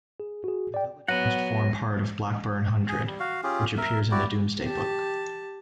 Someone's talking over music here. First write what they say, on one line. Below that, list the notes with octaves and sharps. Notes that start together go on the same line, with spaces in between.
The village once formed part of Blackbourn Hundred, which appears in the Domesday Book.
G#4
F#4 G#4
D5 G5
F#3 B3 F#5 A#6 D#7
G#4 G#5
G3
F#4 F5
C#4 F4 G4 G#4
A#4 E5
E4 F#4 G4 D5
G4 A5